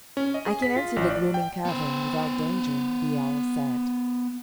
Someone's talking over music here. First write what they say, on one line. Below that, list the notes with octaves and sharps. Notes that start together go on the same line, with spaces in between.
"I can enter the gloomy cavern without danger," the owl said.
C#4
D#5
G#4
B6
F4
A1
D5
G5
B3 C5